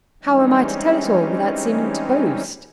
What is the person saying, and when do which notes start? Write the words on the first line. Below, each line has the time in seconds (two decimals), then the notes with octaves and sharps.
How am I to tell it all without seeming to boast.
0.23 E3 G3 G#3 C4 C#4 D#4